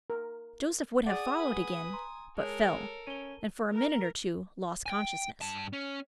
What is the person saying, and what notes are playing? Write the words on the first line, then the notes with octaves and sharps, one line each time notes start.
Joseph would have followed again, but fell, and for a minute or two lost consciousness.
A#4
G#4 D5 F#5 G#5 D#6
B4
A#5 C6
G#3 A4 A#4 C#5
C#4 D#7 G7
A#4
G5 G#5
G2 A5
C#4